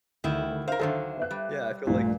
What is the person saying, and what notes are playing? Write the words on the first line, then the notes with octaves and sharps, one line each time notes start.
Yeah, I feel, like,
D2 D#3 G3 E4
A#4 C5 E5 F5
D3 D#3 F#3 A4 C5 F5
B4 E5 F#6
G3
A#1 G2 A#2 A3